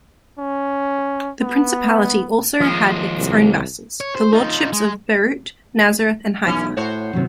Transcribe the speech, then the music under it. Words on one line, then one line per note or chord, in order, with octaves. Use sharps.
The Principality also had its own vassals: the Lordships of Beirut, Nazareth, and Haifa.
C#4
B3
D#2 F3 G#3
C2
C#5
C5
D#4 F4
G#3
B1 E3 C#4
A2 F#4 C5 C#5
D#1 C3 D#3 F#3